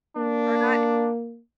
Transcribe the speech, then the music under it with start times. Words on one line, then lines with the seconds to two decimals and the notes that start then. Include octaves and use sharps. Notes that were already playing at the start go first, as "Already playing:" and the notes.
Or not
0.17 A#3 D4